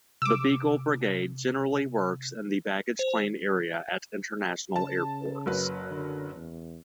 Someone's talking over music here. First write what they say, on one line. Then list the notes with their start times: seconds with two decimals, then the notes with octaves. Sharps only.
The Beagle Brigade generally works in the baggage-claim area at international airports.
0.22 C3 D6 E6
2.99 C5
4.76 C#3 A5
5.46 F#1 F#3 B4
5.91 D3
6.36 E2